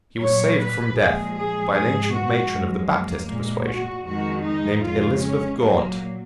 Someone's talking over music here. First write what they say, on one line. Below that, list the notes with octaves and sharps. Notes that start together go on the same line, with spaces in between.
He was saved from death by an ancient matron of the Baptist persuasion, named Elizabeth Gaunt.
A#2 F#3 C#5
B4
A#2 F3 G#3 G#4
G#4
G#2 F3 G#3 G#4
F#4
F#2 F3 G#3
A#3
A#2 G#3
F#4
F2 D#3 G#3 F#4
D#4
F2 C#3 G#3 F4
C#4
A#2 F#3 A#3